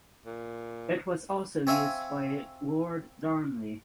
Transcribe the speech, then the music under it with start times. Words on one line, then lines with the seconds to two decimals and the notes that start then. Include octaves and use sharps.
It was also used by Lord Darnley.
0.26 A#2
1.67 C4 C#5 E5 F5 G#5